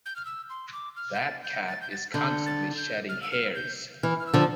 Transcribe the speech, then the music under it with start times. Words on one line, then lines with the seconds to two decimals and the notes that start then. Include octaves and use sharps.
That cat is constantly shedding hairs.
0.06 G6
0.16 F6
0.25 E6
0.50 C6
0.73 D6
0.96 F6
1.14 G6
1.20 A6
1.43 G6
1.68 A6
1.81 G6
1.90 A6
2.14 D3 G6
2.46 A6
2.77 G6
3.09 F6
3.22 E6
3.31 F6
3.55 G6
4.03 E3 F6
4.19 F6
4.27 E6
4.34 D3 F3